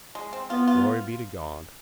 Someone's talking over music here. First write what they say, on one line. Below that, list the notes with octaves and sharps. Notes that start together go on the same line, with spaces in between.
Glory be to God.
G#3
C4
B3 F4
F4